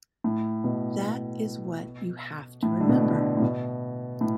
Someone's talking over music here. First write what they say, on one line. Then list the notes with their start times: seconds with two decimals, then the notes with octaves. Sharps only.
That is what you have to remember.
0.24 A2
0.64 B2
2.63 A2
2.81 D3
2.89 B2
3.15 D3
3.37 A2
3.42 B2
4.21 A2